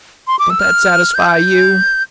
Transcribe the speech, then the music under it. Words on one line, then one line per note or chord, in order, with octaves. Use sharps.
Don't that satisfy you?
C6
D6
E6
F6
G6